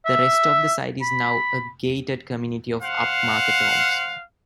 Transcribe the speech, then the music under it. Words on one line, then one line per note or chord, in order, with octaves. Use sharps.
The rest of the site is now a gated community of up-market homes.
E5
B5
C5 F5 F#5